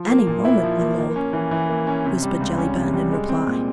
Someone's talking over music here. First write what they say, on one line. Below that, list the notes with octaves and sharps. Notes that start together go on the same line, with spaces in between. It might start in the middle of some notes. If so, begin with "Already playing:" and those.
"Any moment, my lord," whispered Jellyband in reply.
Already playing: F3
A#3
A#2
E4
F3
A#3
A#3
C#4
E3
E3
A#3
C#4
C3
G3
C#2
C#4
C3
G3
G#3
C4
A#2